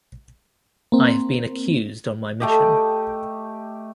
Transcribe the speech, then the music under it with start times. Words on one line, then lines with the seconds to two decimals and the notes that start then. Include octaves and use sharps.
I have been accused on my mission.
0.92 A#3 C4
2.40 A3 G4 D#5